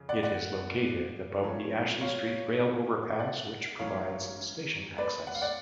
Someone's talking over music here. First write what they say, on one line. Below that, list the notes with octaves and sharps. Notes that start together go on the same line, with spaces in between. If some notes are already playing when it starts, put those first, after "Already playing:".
It is located above the Ashley Street rail overpass, which provides station access.
Already playing: F2 C#3
D5 F#5
D5 F#5
G#2 F3 A3 C#4
C#5 F5
D5 F#5
A1 G#2 F#3 C#4 C#5 F5
B4 D5
F#5
F5
D5 F#5